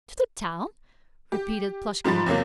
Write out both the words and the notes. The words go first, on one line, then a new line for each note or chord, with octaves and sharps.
"To the town?" repeated Plushkin.
G4
G#2 F3 G3 B5 A6
E2 C3 F#3 A#3